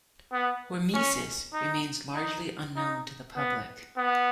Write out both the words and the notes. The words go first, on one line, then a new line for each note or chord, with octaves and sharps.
Hormesis remains largely unknown to the public.
B3
C#4
D#4
D#4
D#4
B3
B3